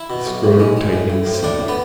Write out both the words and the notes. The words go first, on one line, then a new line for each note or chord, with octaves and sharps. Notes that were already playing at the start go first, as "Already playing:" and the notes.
The scrotumtightening sea.
Already playing: E4 E5
B2
B1
A2
G#3
G#3
A2
A2
A2
C5
A2 D4 D5
A2
B3 B4